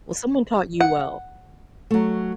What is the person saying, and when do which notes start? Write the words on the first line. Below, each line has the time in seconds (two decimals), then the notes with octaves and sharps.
Well, someone taught you well.
0.81 F#5
1.91 F#3 A3